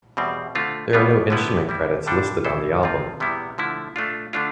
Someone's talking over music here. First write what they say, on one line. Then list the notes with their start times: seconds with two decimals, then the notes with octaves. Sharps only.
There are no instrument credits listed on the album.
0.17 E2 B2 G3 C4
0.55 D3 A3 C4 F4
0.93 B2 G3 B3 F4
1.30 D3 G3 B3 E4 B4
1.69 G3 C4 E4
2.06 G2 D3 G3 D4 A4
2.44 E3 B3 E4 A4 C5
2.83 F2 C3 F3 C4 F4
3.20 E2 C3 G3 B3 E4
3.58 D3 F3 A3 E4
3.96 A3 D4 F4
4.33 D3 A3 D4 F4